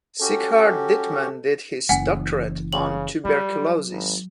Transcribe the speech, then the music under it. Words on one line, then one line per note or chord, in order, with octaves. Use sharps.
Sieghart Dittmann did his doctorate on "Tuberculosis".
C#4 F#4 G4 A4
F#1 E3 F#5 G#5
C#3 F#7
F#3 G3
G#1